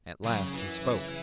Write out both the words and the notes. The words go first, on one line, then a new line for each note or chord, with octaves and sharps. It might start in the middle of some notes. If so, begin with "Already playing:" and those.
At last he spoke.
F#2 C#3 F#3
F#2 E3 F#3
C#3